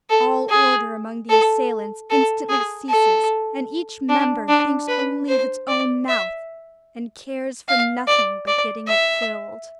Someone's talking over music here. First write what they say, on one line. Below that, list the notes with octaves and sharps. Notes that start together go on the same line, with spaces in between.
All order among the assailants instantly ceases, and each member thinks only of its own mouth, and cares for nothing but getting it filled.
A4
G#4
A4
A4
G#4
A4
D4
D4
B4
C5
D5
E5
F5
D5
D5
E5